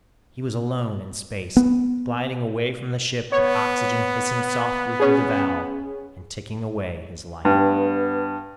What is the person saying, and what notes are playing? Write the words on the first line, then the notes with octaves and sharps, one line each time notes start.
He was alone in space, gliding away from the ship, with oxygen hissing softly through the valve and ticking away his life.
B3
B3 C#5
C#4 G#4
G2 B3